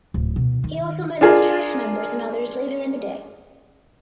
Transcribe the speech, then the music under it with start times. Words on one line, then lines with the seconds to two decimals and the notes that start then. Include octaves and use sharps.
He also met with church members and others later in the day.
0.14 D1
0.36 B2
0.64 D#3
1.21 D4 F4 G#4 A#4